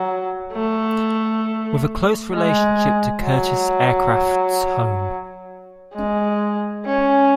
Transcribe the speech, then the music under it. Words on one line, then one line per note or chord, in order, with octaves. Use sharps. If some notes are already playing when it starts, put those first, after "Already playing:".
With a close relationship to Curtiss aircraft's home.
Already playing: F#3
A3
G#3
F#3
G#3
C#4